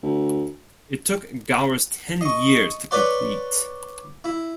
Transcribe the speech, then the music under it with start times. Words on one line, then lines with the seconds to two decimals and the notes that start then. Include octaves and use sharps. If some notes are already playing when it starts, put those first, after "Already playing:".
It took Gowers ten years to complete.
0.03 D2
2.21 D#5 C#6
2.91 B4 C#5 D5 F#5 C6
4.24 E4